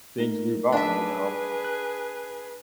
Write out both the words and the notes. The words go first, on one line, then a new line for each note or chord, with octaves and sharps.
Things move on, you know?
A3 D#4 A#4
D4 G#4 B4 E5
F#6